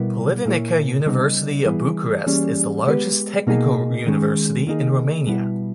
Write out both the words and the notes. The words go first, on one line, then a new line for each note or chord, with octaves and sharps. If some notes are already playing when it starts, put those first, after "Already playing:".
Politehnica University of Bucharest is the largest technical university in Romania.
Already playing: B2 G3 B3 E4 A#4
A#2 A#3 E4 A#4 C#5
C#3 G3 B3 D#4
E3 G3 B3 E4 G#4
E3 G3 A#3 C#4 G#4
G#3 B3 G4 B4
B2 A#3 D#4 G#4
D#3 G#3 C#4
D#3 A#3 D#4 G#4
B2 G3 B3 E4